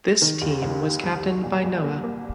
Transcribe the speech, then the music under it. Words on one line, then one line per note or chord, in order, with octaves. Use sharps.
This team was captained by Noah.
D#3
D#2
D#2
D#3
C2
C2
A#2
C2
A#3
A#3